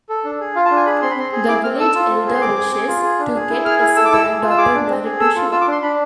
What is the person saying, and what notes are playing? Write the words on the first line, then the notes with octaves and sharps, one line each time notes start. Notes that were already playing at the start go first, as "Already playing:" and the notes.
The village elder wishes to get his granddaughter married to Siva.
A4
D4
G#4
F4 F5
A5
D4
G#5
G#4 B5
C4 C6
B5
C4 C6
G#4
E4 D6
C4 F6
A4 E6
F4
C4
G#4
C6
C4 D6
G#4
G#4
F4
G#4
D4
G#4
E4
G#4 F6
E4
A4 E6
D6
E4 E6
G#4
F4
E6
G#4 D6
D4
C4
G#4
A4 E6
F4
F4 E6
D6
D4 C6
D4 B5